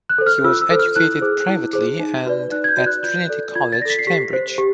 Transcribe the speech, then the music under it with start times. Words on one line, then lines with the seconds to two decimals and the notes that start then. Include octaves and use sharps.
He was educated privately and at Trinity College, Cambridge.
0.09 F#6
0.18 A4 C5
0.27 F6
0.44 F4 E6
0.61 E6
0.71 A4 C5
0.79 F6
0.96 E4 F#6
1.21 G#4 C5
1.48 E4
1.73 G#4 C5
1.99 D#4
2.26 F#4 B4 D5
2.52 D#4 F#6
2.64 G#6
2.69 G6
2.77 F#4 B4 D5
2.86 F#6
3.03 F4 G6
3.29 A4 D5
3.55 F4 G#6
3.72 A6
3.80 D5 A#6
3.85 A4 B6
3.99 C7
4.07 G4 B6
4.33 C5
4.58 G4